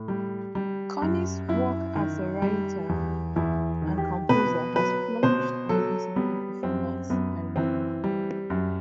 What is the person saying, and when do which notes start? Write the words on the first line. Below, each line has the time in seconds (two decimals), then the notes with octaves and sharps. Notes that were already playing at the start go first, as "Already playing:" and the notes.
Connie's work as a writer and composer has flourished alongside her performance career.
Already playing: A2
0.08 G3
0.55 G3
1.02 F#2
1.48 F#2 E4
1.95 D#3
2.42 G3
2.89 E2
3.36 E2 E4
3.82 D#3
3.98 G4
4.29 B2 B4
4.76 F#3 B4
5.23 B2 C5
5.69 F#3 A4
6.16 G3 B3
6.63 F#2 C4
7.10 F#2 B3
7.56 E3 C4
8.04 G3
8.50 F#2